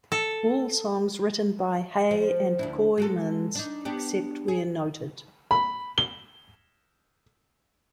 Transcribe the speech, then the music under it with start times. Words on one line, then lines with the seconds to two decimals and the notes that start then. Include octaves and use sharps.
All songs written by Hay and Kooymans except where noted.
0.12 A4
2.11 F3
2.59 D2 D4 E4
2.98 G#3 F#4 A4
3.55 D4 D#4
3.85 B3 D4 G4
4.48 G#4
5.51 B5
5.98 G7